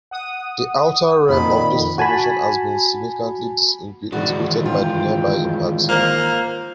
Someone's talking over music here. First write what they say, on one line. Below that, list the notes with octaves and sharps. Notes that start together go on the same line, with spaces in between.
The outer rim of this formation has been significantly disintegrated by the nearby impacts.
F#5 D#6
F2 A#2 D#3 B5
F#4 G#5 A5 B5
D#3 E3 G#3 F#4 D5
F4 G5
A#3 C5